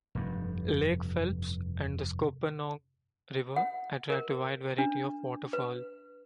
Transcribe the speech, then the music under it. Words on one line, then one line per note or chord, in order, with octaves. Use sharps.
Lake Phelps and the Scuppernong River attract a wide variety of waterfowl.
F1 G2
F#5
A#4
D4
B4